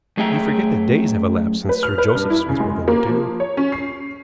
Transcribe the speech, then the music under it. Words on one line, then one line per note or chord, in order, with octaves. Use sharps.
"You forget that days have elapsed since Sir Joseph's was broken into."
F#2 A3 G#4 E5 G5 A#5
B4
F6
B4
G2
E4
C#3
G#3
A#3
F3
C#5
C#4
C7